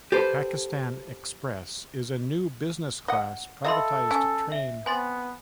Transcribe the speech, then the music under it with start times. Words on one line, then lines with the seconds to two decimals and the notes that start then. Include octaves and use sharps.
Pakistan Express is a new business class privatized train.
0.12 G4 A4 B4 C5
3.08 D#5 F#5
3.65 F4 A4 D#5 E5 B5 C6
4.11 C#4 G#5
4.52 E5
4.86 B3 C4 G#5 C6 A6